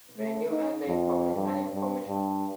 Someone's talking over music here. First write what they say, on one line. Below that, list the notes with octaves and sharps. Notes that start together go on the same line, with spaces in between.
Venue and information.
A3
D#4
F2
G2
G2
G2